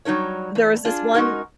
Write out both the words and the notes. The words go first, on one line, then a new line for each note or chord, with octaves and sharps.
there was this one
F#3 G3 D#4 A#4 C#5
E2 A2
D4 F4 G#4
G#3 C#4 D#4 F#4 A#4